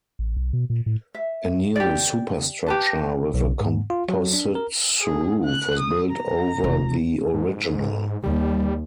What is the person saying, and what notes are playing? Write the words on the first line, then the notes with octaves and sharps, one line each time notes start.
A new superstructure with a composite roof was built over the original.
A1
B1
B2
A#2
A2
E5
G4 D5
G4 B4 A5
B1
G#2
F4
F#3
D4
A#4
G#4
F#6
D#6
A#5
F1
G#2
D#2 G3